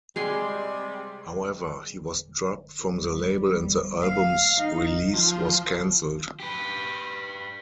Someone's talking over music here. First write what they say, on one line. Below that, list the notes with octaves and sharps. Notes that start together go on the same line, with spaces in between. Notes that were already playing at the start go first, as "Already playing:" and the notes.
However, he was dropped from the label and the album's release was canceled.
C3 G3 G#3 G#5 C6
G3
F5
D#4
F3
G4 B4